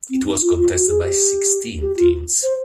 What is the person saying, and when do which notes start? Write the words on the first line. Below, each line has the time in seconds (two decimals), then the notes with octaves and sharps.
It was contested by sixteen teams.
0.10 C4
0.25 D#4
0.41 F4
0.56 F4
0.72 F#4
0.87 G#4
1.03 G4
1.81 G4
1.96 F4
2.43 C5